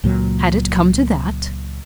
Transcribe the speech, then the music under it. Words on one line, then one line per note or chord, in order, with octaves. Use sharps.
Had it come to that?
C#2 A#2 F#3